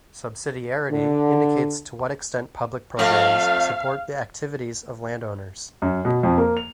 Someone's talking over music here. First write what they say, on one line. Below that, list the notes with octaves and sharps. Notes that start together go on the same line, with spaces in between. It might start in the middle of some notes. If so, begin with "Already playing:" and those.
Subsidiarity indicates to what extent public programs support the activities of land owners.
D3
F2 A3 F5
F#2
B2
F2
A#3
F7